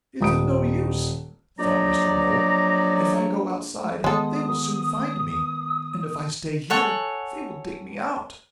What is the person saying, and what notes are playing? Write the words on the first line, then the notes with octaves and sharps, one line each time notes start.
'It's of no use,' thought Mr. Mole. 'If I go outside, they will soon find me, and if I stay here, they will dig me out.
D#1 D#6 D7
A#1 F#3 D#4 D5 A#5
D#3 G#3 B3 A4 D#6
A4 C#5 F#5 G#5